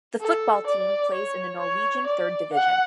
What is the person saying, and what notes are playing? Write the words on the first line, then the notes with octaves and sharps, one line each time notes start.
The football team plays in the Norwegian Third Division.
A4
D5
C#5
C#5
D5
F#5